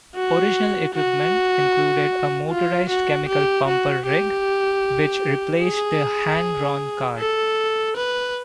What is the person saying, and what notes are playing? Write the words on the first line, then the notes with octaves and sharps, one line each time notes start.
Original equipment included a motorized chemical pumper rig, which replaced the hand-drawn cart.
F#4
F#4
F4
F#4
G4
F#4
G4
G#4
A4
B4